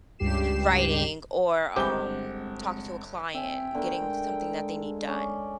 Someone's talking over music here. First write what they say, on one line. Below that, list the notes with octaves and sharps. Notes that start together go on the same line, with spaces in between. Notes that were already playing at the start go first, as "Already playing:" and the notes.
Writing, or, um, talking to a client, getting something that they need done.
C#2 G2 G4 C7 E7
G1 G#3 C4 G4 C5 F#5 G7
C4 E5 G5 G#5
D3 A3 B3 A#4
G#3
C#4 D5